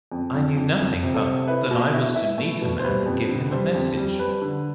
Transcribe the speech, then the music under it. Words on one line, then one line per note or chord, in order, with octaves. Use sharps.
"I knew nothing but that I was to meet a man and give him a message."
F2
F2
F2
F2
C3
A4
C3
E4 B4
B2
E4
E4
A3
B2
C5
G3 B4
F2
D3
G3 C5
F2
G3
G3 B4
D3